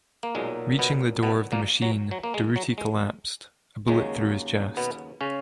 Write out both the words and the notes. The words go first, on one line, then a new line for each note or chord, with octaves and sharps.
Reaching the door of the machine, Durruti collapsed, a bullet through his chest.
A#3
B1 A#2 F#3 G#3
B2 B3
B2 B3
A#2 A#3
F#3
F#3
A#3
G#3
F#3
G#3
D#2 C#3 F#3 G#3
B2 B3
C#3 C#4